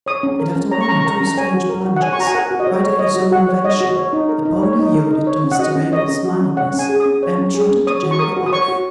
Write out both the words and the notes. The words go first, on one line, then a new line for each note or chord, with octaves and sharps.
And, after one or two strange plunges, quite of his own invention, the pony yielded to Mr Abel's mildness, and trotted gently off.
C#5 D#6
C#4
A#4
C#4
C#5 A#5
C#6
C#4 A#5
C#6
A#4 A#5
C#4
A#5
C#5 G#5
F#4
A#4
F#4
F#5
C#5 G#5
C#6
F#4 A#5
G#5
A#4 F#5
F#4
D#5
F#4 C#5
C#5
C#5 D#5
F#4
F#4 F#5
C#5
C#5 D#5
F#4
C#5
D#4
A#4
D#4
C#5
D#4
A#4
D#4
C#5
C#4
F#5
F#4 D#5
C#4
C#5 D#5
C#4
F#4
C#4
C#5 F#5
C#4 G#5
G#4
D#6
C#4
C#5
C#4
G#4
C#4
C#5 D#6
F#4
C#6
A#4 D#6
F#4
D#6
C#5 C#6
F#4